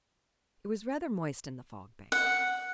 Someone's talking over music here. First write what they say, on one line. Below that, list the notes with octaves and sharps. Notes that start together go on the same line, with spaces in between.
It was rather moist in the Fog Bank.
F#5